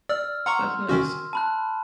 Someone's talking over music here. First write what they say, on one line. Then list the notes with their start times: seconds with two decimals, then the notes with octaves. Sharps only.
That's nice.
0.09 D5 E6 F6
0.46 F#5 A#5 C6 C#6 F6
0.89 D#3 C#4 F#4
1.33 A5 B5 F#6